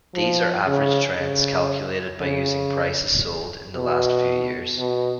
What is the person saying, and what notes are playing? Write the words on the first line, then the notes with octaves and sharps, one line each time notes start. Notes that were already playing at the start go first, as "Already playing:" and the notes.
These are average trends calculated by using prices sold in the past few years.
F3
C#3
C#3
C#3
B2
B2